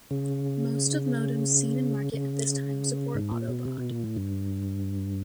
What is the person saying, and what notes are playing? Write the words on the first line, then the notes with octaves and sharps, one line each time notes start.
Most of modems seen in market at this time support autobaud.
C#3
C#3
G#2
A#2
B2
C3
B2
A#2
A2
G2